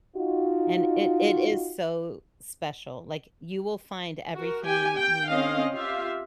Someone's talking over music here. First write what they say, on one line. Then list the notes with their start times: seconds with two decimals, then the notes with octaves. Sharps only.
and it it is so special, like, you will find everything you need,
0.16 D#4 F4 F#4
4.35 F#4 A#4
4.65 G4 G5 G#5
4.96 G5
5.29 C4 C#4 D#5 F5
5.73 F4 G4 E5 F5